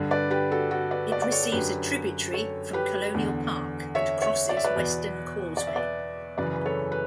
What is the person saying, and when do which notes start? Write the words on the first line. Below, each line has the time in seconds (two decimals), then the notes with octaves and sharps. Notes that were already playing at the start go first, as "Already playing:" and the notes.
It receives a tributary from Colonial Park and crosses Weston Causeway.
Already playing: G2 D3
0.11 B4 D5
0.30 G4 B4
0.51 F#4 A4
0.71 F#4 A4
0.91 B4 D5
1.12 B4 D5
1.22 D5
1.32 A4 C#5
1.42 A4
1.52 F#2 D3 G4 B4
2.33 A4 C#5
2.73 G4 B4
3.14 E2 D3
3.95 C#5 E5
4.22 C#5 E5
4.49 D5
4.57 E5
4.64 B4 D5
4.76 E2 B2
5.57 D5
5.67 E5
5.76 B4 D5
6.38 F#2 C#3 E3 B4 D5
6.56 B4
6.66 A4 C#5
6.92 B4